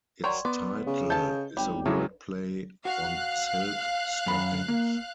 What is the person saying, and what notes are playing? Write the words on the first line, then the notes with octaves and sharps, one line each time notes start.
Its title is a wordplay on silk stockings.
F#3 A#4 D5 G5 C6 C#6
B3 D5 C6
C#3
A4 B4 D#5 A5 G6
G#1 G3 C#5 G5
C#3 F#3 G#3 A3 E4 D6
F#4 F5 F#6
F#2 B5
A#3